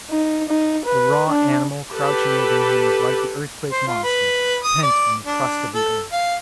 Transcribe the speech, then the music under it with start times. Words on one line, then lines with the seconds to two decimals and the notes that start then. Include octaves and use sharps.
The raw animal crouching within him is like the earthquake monster pent in the crust of the earth.
0.10 D#4
0.49 D#4
0.85 B4
1.29 D4
1.92 G4 A4 B4
3.71 C5
3.87 F4
4.04 B4
4.64 D#6
4.82 D5
5.26 D4
5.74 A4
6.12 F5